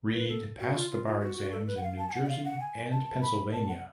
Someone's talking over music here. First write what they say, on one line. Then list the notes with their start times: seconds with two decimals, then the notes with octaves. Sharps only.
Reid passed the bar exams in New Jersey and Pennsylvania.
0.14 B4
0.28 A4
0.60 F#4
0.75 F4
0.91 F4
1.06 F4
1.21 F#4
1.37 F#4
1.52 A4
1.67 B4
1.77 F#5
1.83 F5
1.99 A5
2.08 G#5
2.14 F#5
2.25 D5
2.29 F5
2.45 F#5
2.60 G#5
2.91 A5
3.22 B5
3.53 A5
3.69 F#5